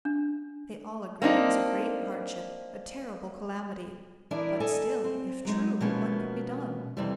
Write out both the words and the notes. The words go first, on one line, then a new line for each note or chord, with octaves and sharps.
They all agreed it was a great hardship,--a terrible calamity; but still, if true, what could be done?
D4
A#3 C4 D4 D#4
E3 D4 E4 A#4 D5 D#5
A4 D#5 G#5
C4
F#3 G#3 D#4
B2 F3 G#3 A#3 B3 C#4
F2 C3 E3 G3